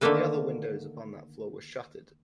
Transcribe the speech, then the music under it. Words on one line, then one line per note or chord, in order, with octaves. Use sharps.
The other windows upon that floor were shuttered.
D3 D#3 A3 A#3 A4 B4